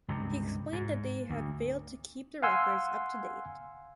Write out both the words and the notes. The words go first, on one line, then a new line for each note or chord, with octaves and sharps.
He explained that they had failed to keep the records up to date.
C#2 G2 C3
G#2
D2
F5 F#5 G#5 C6 E6